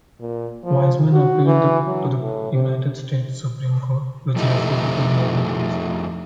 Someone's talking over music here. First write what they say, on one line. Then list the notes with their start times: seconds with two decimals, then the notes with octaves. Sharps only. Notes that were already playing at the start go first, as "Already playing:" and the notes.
Wiseman appealed to the United States Supreme Court, which refused to hear the case.
0.20 A#2
0.65 F3
1.13 F#4
1.46 E3
1.87 F#3
2.21 A2
2.53 C3
4.36 F2 F3 A3 D#4 E4 G4